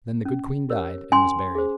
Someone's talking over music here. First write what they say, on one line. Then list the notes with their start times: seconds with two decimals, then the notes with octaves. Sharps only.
Then the good queen died, and was buried.
0.25 C#4
0.69 G4 A#4 C#5
1.12 C#4 G#5 C6
1.55 G#4 C5